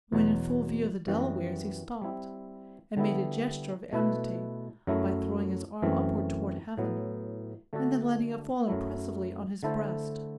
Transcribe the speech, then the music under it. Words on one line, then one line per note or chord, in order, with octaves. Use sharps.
When in full view of the Delawares he stopped, and made a gesture of amity, by throwing his arm upward toward heaven, and then letting it fall impressively on his breast.
E2 B2 F#3
F#2 E3 G3 B3 F#4
G3 C4 E4
D3 G3 B3 E4
B2 A3 E4 B4
F#2 F#3 A3 E4
F#2 E3 A3 C4
A2 F#3 B3
D3 A3 D4 F#4 A4
F#2 F#3 A3 E4
D3 A3 E4 A4 C5